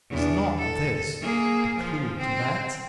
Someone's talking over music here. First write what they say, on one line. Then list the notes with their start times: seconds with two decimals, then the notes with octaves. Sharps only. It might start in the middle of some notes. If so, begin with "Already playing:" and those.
Is not this the clue to that?
0.10 E2 D4
0.58 A4
1.21 A#3 G#4
1.77 F3
2.18 C4